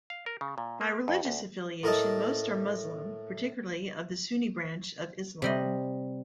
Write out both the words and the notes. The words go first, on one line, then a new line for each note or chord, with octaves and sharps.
By religious affiliation, most are Muslim, particularly of the Sunni branch of Islam.
F5
A#4
C#3
A#2
A#3
F2
D2
A2 A#4 D#5 A5
C3 G3 D#5